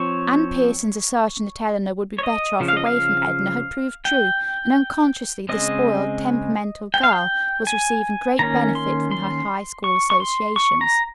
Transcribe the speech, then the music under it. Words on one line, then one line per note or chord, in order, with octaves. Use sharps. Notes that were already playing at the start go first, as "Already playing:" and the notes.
Anne Pierson's assertion that Eleanor would be better off away from Edna had proved true, and unconsciously the spoiled, temperamental girl was receiving great benefit from her High School associations.
Already playing: F3 C4 C#5
C#5
D#5
C#3 F3
F5
D#5
F5
G5
C#3 G#3 C4 D#5
G5
F5
G5
G#5
D#3 A#3 C#4 A#5
C6
C6
C#6
C#6
C6
C#6
A#5